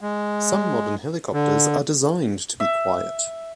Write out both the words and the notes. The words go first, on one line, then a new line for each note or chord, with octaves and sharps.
Some modern helicopters are designed to be quiet.
G#3
D3
E5